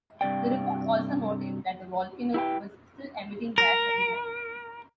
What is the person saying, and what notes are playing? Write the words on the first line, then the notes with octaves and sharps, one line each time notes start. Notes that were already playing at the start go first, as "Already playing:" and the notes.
The report also noted that the volcano was still emitting gas at the time.
G2 C3 D5 G5
E4 G4 B4 G5
A#4